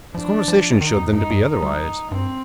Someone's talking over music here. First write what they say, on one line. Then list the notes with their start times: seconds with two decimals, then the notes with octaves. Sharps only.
His conversation showed them to be otherwise.
0.15 F3 D4
0.48 F3
0.81 D#3 D#4
0.96 F2
1.13 G2 D#4
1.30 G2
1.46 D#4
1.62 G3
2.11 G2 C4